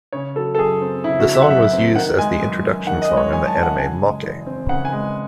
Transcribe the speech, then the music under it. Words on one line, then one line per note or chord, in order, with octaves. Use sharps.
The song was used as the introduction song in the anime Mokke.
C#3 C#5
F#3 A4
A4
F#2 G#4
C4
C#3 E4
F#4
F#3
E5
F#5
F#2 E5
C4
D#3 F#5
G#3 G#5
F#2
F#2
D#3 F#5
D#5
G#3
C#5
F#2 G#5
A5
F#2
F#5
C#3 G#5
G#3
E2
C4
C#3 F#5
G#5
G#3